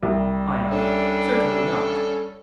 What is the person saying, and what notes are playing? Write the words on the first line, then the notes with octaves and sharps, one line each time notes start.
ION: Certainly not.
C2 G3
C#4 D4 A4